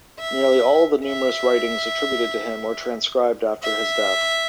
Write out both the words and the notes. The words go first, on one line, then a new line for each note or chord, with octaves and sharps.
Nearly all of the numerous writings attributed to him were transcribed after his death.
E5
E5
E5